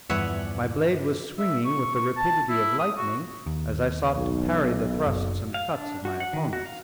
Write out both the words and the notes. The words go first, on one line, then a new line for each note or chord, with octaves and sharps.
My blade was swinging with the rapidity of lightning as I sought to parry the thrusts and cuts of my opponents.
E2 G2 D3 F3 B4 C#5 E5 F#5
E5
C#6
C#6
A5
E4
D#6
F#4
D#2
B1
F#1
F5
D4
F#4
F#5
D#3
F#4
F5